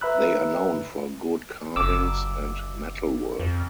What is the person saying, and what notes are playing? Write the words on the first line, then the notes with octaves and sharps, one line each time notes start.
They are known for good carvings and metalwork.
B4 E5 A#5 B5 E6 F#6
F#1 D6 E6
F2